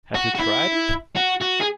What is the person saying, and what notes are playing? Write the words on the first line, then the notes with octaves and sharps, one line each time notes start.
Have you tried it?
F#4
F#4
E4
F#4
F#4
G#4